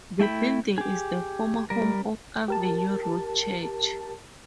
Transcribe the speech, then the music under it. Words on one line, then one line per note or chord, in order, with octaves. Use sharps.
The building is the former home of Avenue Road Church.
A3 E4 G5 B5
G4 G#4
G3 A#4
G4 A#4 A5